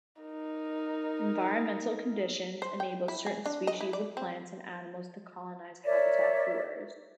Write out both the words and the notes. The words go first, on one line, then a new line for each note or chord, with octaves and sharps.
Environmental conditions enable certain species of plants and animals to colonize habitat borders.
D#4 A#4
C5
G5
E4
G#4
D4
D#5
E4
D5
C4
A#4 C#5 D5 E5